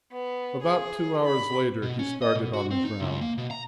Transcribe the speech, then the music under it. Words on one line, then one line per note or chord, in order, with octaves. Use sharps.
About two hours later he started on his round.
B3
G#4
B5
B2
C#4
D#5
B2
F#4
C4
D#4
C#2
A#3
B2
A#5